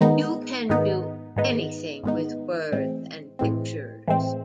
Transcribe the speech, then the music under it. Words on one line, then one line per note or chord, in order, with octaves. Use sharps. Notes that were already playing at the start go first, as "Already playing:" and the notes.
You can do anything with words and pictures'.
G#2 D#3 G#3 B3 D#4
G#2 D#3 G#3 B3 D#4
G#2 D#3 G#3 B3 D#4
G#2 D#3 G#3 B3 D#4
A2 E3 G#3 C4
A2 E3 G#3 C4
A2 E3 G#3 C4